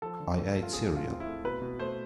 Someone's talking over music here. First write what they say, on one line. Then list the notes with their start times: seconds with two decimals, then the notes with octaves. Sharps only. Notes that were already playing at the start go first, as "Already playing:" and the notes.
I ate cereal.
0.02 F3 A4
0.20 D3
0.37 D3
0.55 A3
0.63 F4
0.73 C4 G#4
0.90 A3
0.97 F4
1.08 C4
1.20 E4
1.27 A3
1.44 B2 B4
1.61 B2
1.79 A3 C5